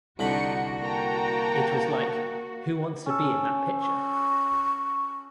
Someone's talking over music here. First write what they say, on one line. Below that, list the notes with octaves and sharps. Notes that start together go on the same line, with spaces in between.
It was like, 'Who wants to be in that picture?
C2 D3 D4 D#4 F#4 B5 C#7
A#3 G5 A5 A#5
C#4 A4
C#6